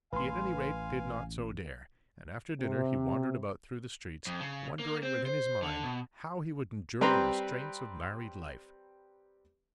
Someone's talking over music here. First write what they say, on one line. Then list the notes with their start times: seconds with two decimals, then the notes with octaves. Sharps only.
He at any rate did not so dare;--and after dinner he wandered about through the streets, wondering within his mind how he would endure the restraints of married life.
0.13 A1 B4 F5 G#5 C6
2.60 C3
4.27 F2
4.40 C#3
4.80 A#3
5.03 C4
5.26 C5
5.63 D3
5.83 B2
7.01 G3 C4 G4 B4 A#5 C6